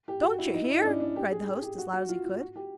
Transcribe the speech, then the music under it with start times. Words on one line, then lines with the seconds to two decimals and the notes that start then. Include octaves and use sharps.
'Don't you hear?' cried the host as loud as he could.
0.08 G4
0.22 F#4
0.39 E4
0.54 D#4
0.64 E4
0.70 D#4
0.81 C#4
0.85 D4
1.00 D4
1.16 G4
1.32 G#4
1.48 G4
1.63 G4
1.78 F#4
1.93 F#4
2.09 F4
2.24 F4
2.41 F#4
2.56 G4